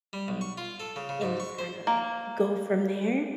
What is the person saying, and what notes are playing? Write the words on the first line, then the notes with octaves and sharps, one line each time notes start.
and just kinda go from there.
G3
B1
C#6
F4
A4
C#3
C#3
G#2
C#6
C5
A#3